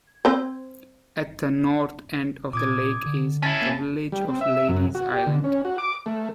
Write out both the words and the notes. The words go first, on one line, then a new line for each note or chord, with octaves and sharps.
At the north end of the lake is the village of Lady's Island.
C4 C5
A#2 D6 D#6 G#6
D3
C#4 E4 A5 A6
A#3
G3
C4
E5
F#2
F#4
G4
D3
C#4
F#4
D6
A3